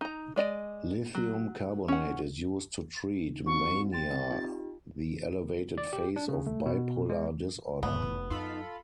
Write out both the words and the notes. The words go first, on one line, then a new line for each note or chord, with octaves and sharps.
Lithium carbonate is used to treat mania, the elevated phase of bipolar disorder.
D#4 A#5
G#3 D5 D#5
F#3
C#4 F#5
C4 D#4 F#4 C#6
G5 C6 A6
C4
D#4 F4 G4
D5
G4
D4
C#3
A3
B2
G#3
F1 E2 A2 B3
F#2 D#4 F4 A4 B5